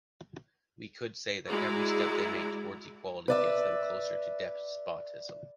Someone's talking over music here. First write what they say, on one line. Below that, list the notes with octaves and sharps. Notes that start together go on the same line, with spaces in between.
We could say that every step they make towards equality gets them closer to despotism.
G#3 E4 F#4 G#4 D5 A#5
B4 D5 E5